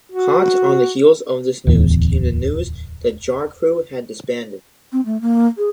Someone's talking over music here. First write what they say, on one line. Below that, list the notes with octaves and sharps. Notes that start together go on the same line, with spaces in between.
Hot on the heels of this news came the news that Jarcrew had disbanded.
F#4
D1 E2
C4
A3
A#3
G#4